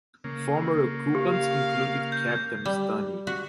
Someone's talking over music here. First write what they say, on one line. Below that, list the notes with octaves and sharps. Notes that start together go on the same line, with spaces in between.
Former occupants included Captain Stoney.
C#3 A#3
G4 F5
G6
G3
F#4